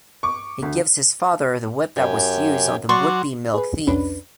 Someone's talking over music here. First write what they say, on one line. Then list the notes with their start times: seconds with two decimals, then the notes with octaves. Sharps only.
He gives his father the whip that was used on the would-be milk thief.
0.23 C#6 D6
0.62 D2
1.97 F#2 G4 G#5
2.89 F#3 F#4 D5 C6 C#6
3.54 G#4 B4
3.87 C2 F2 C#4 D4 B4